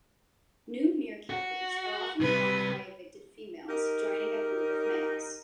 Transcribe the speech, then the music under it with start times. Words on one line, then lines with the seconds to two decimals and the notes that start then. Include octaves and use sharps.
New meerkat groups are often formed by evicted females joining a group of males.
1.30 F#4
2.20 C3 G3 B4
3.69 D#4 G4 A#4